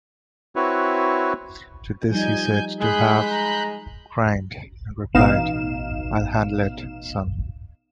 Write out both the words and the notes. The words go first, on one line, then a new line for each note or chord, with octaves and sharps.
To this, he is said to have grinned and replied, I'll handle it, son.
C4 E4 F#4 B4 C#5
F3 G3 D#4 G#5 G6
G#3 G#4 B5 F#6 G6
A#5
A1 B2 D#4 F5 E7